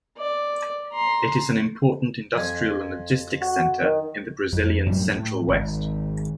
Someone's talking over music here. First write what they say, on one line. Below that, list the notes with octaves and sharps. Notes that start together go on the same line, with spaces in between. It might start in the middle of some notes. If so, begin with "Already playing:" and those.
It is an important industrial and logistics center in the Brazilian Central-West.
D5
A#5 C6
F2 G#5
F#4
D#3
F2
F#2 A2 F3 G3
A2
G#1